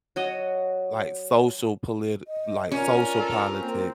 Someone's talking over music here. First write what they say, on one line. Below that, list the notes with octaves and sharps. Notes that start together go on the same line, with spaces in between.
like social politi like, social politics
F#3 F#4 D#5
D#5
C#4 F4 A#4 D5
A4
A#3 C4